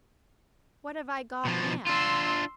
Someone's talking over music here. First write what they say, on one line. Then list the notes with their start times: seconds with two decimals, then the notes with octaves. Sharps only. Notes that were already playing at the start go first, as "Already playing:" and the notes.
What have I got now?
1.45 B2 F3
1.87 D4 F4 C6 E6